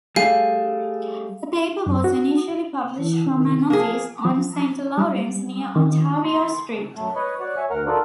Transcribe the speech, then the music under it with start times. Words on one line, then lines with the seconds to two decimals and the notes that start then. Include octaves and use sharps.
The paper was initially published from an office on Saint Lawrence near Ontario Street.
0.16 G3 A3 G#4 F5
1.86 F#2
2.04 F#4
2.99 E3
3.33 D#3
3.70 F3 A#3 G#4
4.25 F3
4.98 G3
5.76 D#3
6.25 C6
6.96 F#2 A3
7.16 B4 C#5 D#5
7.40 F#4 C#5 D5 F#5
7.57 C#5 E5 G#5
7.70 D2 A#4 F#5 F6
7.87 D#4 F4 F#4 A4 A#4 D5